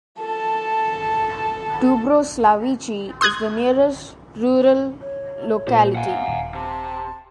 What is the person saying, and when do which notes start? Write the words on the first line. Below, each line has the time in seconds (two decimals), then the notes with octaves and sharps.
Dubroslavichi is the nearest rural locality.
0.21 A4 A5
3.21 C6 D#6 F#6 G#6
5.02 C#5
5.68 A#2 C5
5.95 F5 F#5 G#5
6.28 D#1
6.54 C3 A5